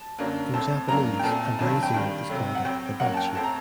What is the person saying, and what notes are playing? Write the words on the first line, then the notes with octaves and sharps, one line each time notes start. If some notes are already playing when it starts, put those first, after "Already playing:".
In Japanese, a brazier is called a "hibachi".
Already playing: A5
F#2 D3 F#3 A#3 D4
A2 A3 C4 A5
F#2 F#3 A#3 D4 A#5
G5
A#2 A3 C4 A5
G2 D#3 F#3 C4 A5
A5
G5
G2 D#3 G3 G5
C3 F#3 A3
F#5
A2 F#3 C4 G5
F#2 F#3 A#3 F#5
A5
G5
A2 A3 C4 A5
A#5